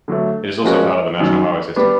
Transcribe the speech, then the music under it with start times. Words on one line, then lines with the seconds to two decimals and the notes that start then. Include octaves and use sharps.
It is also part of the National Highway System.
0.08 D3 F#3 A3
0.64 F3 G#3 C#4 F#4 A#4
1.20 F#2 D#3 F#3
1.76 G3 B3 D4